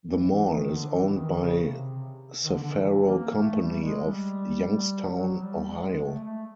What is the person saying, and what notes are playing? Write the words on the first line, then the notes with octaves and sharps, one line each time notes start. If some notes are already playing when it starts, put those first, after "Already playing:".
The mall is owned by Cafaro Company of Youngstown, Ohio.
E3
E3
D#3
D3
E3
D#3
C#3
C3
D#3
D3
D3
D#3
E3
A#3
A3
G3
G#3
G3
F3
F#3
G3
G#3
A3
A3